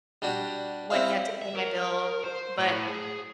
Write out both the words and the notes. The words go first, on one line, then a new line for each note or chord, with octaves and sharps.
when he had to pay my bill, but
G3 D4 F#4 G4
C4 E4 C5 F5
E5
A#4
C5
A2
G#4